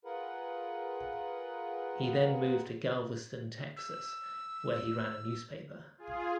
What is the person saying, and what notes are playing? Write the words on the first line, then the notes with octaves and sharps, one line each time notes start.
He then moved to Galveston, Texas where he ran a newspaper.
F4 G#4 A#4 B4 F#5
E6
F4 G#4